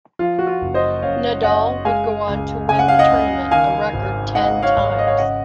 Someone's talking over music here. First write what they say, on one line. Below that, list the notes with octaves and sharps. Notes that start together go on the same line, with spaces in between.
Nadal would go on to win the tournament a record ten times.
F3 F4
F#4
F4
F#1
C5 D#5
F#2 C#5 F5
F#1 D#5 F#5
G#3 F5 G#5
C#2
C#3 G#5
F#5
F5
D#5 F#5
C#2
D#3 F5 G#5
G#1
G#2 D#5 F#5
C#5 F5
G#1
F5
D#5
C#5 F5
C#3 D#5 F#5